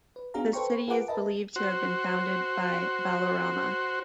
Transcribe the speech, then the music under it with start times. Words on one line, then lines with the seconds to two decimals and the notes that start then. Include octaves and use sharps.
The city is believed to have been founded by Balarama.
0.16 B4
0.34 B3 D4 F#4 G#4 F5 A#5
0.53 A4 B4 C5 G5 C#6
0.87 F4 G#4 A#4 B4 F#5 D6
1.08 A#4 B4 D#5 E5 A5
1.56 F#4 C5